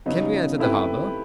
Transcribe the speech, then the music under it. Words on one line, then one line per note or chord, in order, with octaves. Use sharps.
"Can we enter the harbour?"
C#3 F#3 B3 D#4
A3 C4 E4 G4 B4